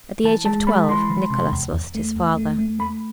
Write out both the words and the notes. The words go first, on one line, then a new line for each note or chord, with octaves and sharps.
At the age of twelve Nickolas lost his father.
E3 A5
G#3 A5
G#3 B5
E3 C6
E3
C3
E2
E2
A3
E2
A3
A3
A3 B5